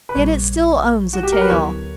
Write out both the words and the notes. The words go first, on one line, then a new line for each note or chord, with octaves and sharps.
Yet it still owns a tail.
B4
A#1 A#2 G3 C#5
F#4
G4
A#4
B4
D2 D3 F#3 B3 E4 C#5